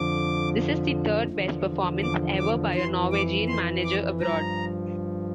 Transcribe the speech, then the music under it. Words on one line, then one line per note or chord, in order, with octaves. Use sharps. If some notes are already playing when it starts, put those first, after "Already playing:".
This is the third best performance ever by a Norwegian manager abroad.
Already playing: F2 D3 F3 D6
E2 D3 F3
D6
D6
F2 E3 C6
D6
C6
D6
G2 F3 A#5